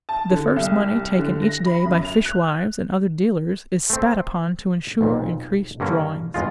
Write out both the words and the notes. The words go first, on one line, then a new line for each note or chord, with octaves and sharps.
The first money taken each day by fishwives and other dealers is spat upon to ensure increased drawings.
A5
D3
C2
D3
A#6
B5
F#2
F7
F#6
A3 C4
B1 F2 A#2
G2 D3 A#3 C#4
E2 G2 G#3 F4